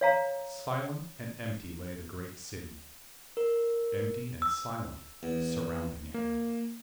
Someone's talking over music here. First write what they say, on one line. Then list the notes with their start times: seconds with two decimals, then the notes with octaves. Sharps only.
Silent and empty lay the great city--empty and silent the surrounding air.
0.01 C#5 F5 A#5
3.37 A#4
4.42 E6
5.23 E2
6.14 A#3